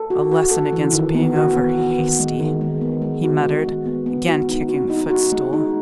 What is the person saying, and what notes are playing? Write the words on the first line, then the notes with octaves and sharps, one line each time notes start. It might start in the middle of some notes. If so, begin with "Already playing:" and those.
'A lesson against being over-hasty,' he muttered, again kicking the footstool.
Already playing: A4
F#4
F#4
A4
E3
D#3
B3
F#4
B3
F#4
D#3
G#3
D#3
G#3
B3
G#3
F#4
F#4
G#3
B3
B3
F#4
D#4
F#4
D#4
F#4
G#3
D#4